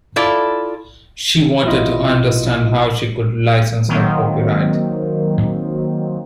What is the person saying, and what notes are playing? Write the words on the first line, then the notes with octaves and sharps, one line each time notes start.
She wanted to understand how she could license her copyright.
E4 F4 A4 D5
A#1 B2 E4 F4 D#5
D#3 F#3 A#3 C4